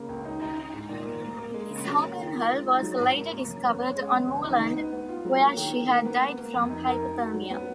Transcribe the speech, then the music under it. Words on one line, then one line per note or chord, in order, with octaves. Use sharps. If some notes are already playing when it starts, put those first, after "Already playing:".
Miss Hockenhull was later discovered on moorland, where she had died from hypothermia.
Already playing: C#3 A#3
C#2
D#4
D#4
D#4
G#2
A#2
A#3
A#3
A#3
G#3
C#3
F#3
A#3
D#3
F4
G#3
D#4
F#3
G#2
A#4
A#3
F#2
B3
C#4
G#3
B3
C#2
D#4
D#4
B3
B3
F4
F#3
A#3
D#3
D#3
A#3
B3
B3
A#3
F2
D#4
A#4
D#4
F#4
F#3
B3